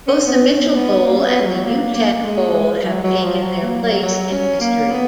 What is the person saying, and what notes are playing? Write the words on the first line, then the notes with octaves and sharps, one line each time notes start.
Both the Mitchell Bowl and the Uteck Bowl have taken their place in history.
C#4
B3
C#4
B3
A#3
C#4
B3
G#3
F#3
A#3
A#3
G#3
G#3
F#3
F#3
F3
F#3
A#3
F#3
F#3
C#4
A#3
B3